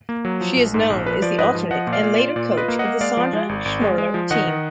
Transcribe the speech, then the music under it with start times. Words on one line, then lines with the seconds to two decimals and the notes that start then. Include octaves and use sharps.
She is known as the alternate and later coach of the Sandra Schmirler team.
0.09 A#3
0.25 F#3
0.41 F3
0.57 A#1
0.74 G#2
0.90 A#1
1.06 F3 B4
1.22 F3 D5
1.38 G#2 B4 D#5
1.55 F3
1.71 F3 D#5 F#5
1.87 A#2
1.93 D5 F5
2.03 A#2
2.14 D5
2.20 F4
2.36 A#2 D5
2.52 F4
2.57 B4 D#5
2.68 A#3
2.79 D#5 F#5
2.85 A#3
3.01 G#3 D5 F5
3.17 F3
3.33 G#3
3.49 G#1
3.65 G#1
3.81 G#3
3.98 G#3
4.14 F3
4.31 D#3 D#5 F#5
4.47 D#3